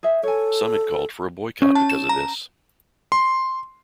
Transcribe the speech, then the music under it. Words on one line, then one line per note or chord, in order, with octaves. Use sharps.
Some had called for a boycott because of this.
G#4 C5 E5
A4 C#5 G#5
C#4
A5
E7
A#5
C6